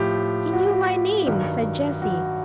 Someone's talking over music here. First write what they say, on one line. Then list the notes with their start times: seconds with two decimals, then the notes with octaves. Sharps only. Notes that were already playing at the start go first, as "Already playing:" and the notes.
"He knew my name," said Jessie.
Already playing: A2 F3 G4
0.53 F#4
1.27 G2 D#3 F#3
2.02 F#4